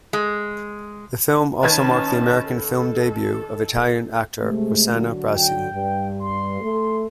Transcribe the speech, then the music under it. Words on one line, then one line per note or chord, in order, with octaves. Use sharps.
The film also marked the American film debut of Italian actor Rossano Brazzi.
G#3
D#3 C#4 D#4 B4 A5 G#6
A4
C3 G#3 A3
D3 F#3 F#4
G5
G2
C6
A3 A4